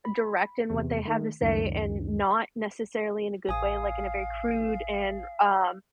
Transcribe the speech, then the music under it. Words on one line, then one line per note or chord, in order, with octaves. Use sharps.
direct in what they have to say, and not necessarily in a good way, like in a very crude and, um,
B5
E2 C3
D#3 A3
C#2 F#2 D#3
A1 F5 G#5 D#6